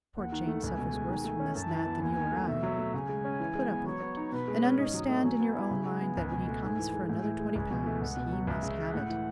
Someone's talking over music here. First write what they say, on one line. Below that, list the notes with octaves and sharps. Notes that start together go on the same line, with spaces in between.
Poor Jane suffers worse from this gnat than you or I. Put up with it; and understand in your own mind that when he comes for another twenty pounds he must have it.
D#2 F#5
D#3
A3
C#2 G#5
B2
G#3
D#3
A3
C#4
F#2 A5
E3
B3
D#2 G#5
D#3
A3
B2 E5
F#3
A3
C#3 G#5
G#3
C#4
E3
G#3
B3
F#3 C#5
B3
D#4
B2 B4
G#3
C#4
G#2 D#5
F#3
A3
F#3 G#5
B3
E4
C#3
G#3
B3
C#2
B2
A3
G#2 G#5
E3
G#3
A2 G#5
E3
G#3
C#2 G#5
B2
A3
C#2 F#5
B2
F#3
C#2 E5
C#3
G#3
A2 F#5
E3